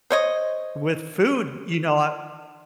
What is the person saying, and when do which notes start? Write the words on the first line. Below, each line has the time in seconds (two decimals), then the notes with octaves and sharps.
With food, you know I
0.10 C5 C#5 D#5